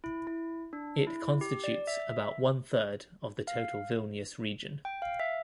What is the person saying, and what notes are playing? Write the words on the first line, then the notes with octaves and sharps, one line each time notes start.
It constitutes about one third of the total Vilnius Region.
E4
E4
D4
E4
G4
D5
E5
F5
G5
F5
E5